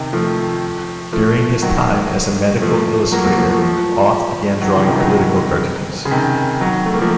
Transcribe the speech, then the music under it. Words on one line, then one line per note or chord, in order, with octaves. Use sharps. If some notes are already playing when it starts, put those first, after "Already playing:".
During his time as a medical illustrator, Auth began drawing political cartoons.
Already playing: C3 D#3
F3 A3
F3 A3
D#3 F#3
F3 A3
F#3 A#3
F#3 A#3
F3 A3
F3 A3
F3 A3
D#3 F#3
C#3 F3
C3 D#3
D#3 F#3
C#3
C3 D#3
D#3 F#3
A3
A#3
F3 A3